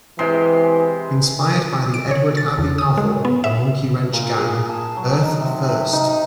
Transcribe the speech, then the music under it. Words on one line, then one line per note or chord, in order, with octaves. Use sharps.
Inspired by the Edward Abbey novel "The Monkey Wrench Gang", Earth First!
C3 E3 G#3 C6
D7
C#5
A6
E2
D#6
G#3
B3
E5
A#2
G#4
A5
F#3
D#4
C3
C3
D#4